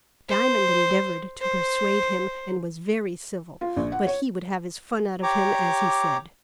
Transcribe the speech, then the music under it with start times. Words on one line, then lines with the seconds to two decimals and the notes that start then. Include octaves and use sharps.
Diamond endeavoured to persuade him, and was very civil, but he would have his fun out of him, as he said.
0.29 C5
1.42 C5
3.61 F4
3.76 A#1
3.92 F#5
4.07 C#5
5.23 G4 C#5 A#5 D6